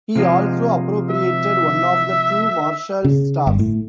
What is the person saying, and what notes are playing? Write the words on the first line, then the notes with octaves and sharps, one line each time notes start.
He also appropriated one of the two Marshal's staffs.
C3 F3 G#3
E5
C#3
G1
A2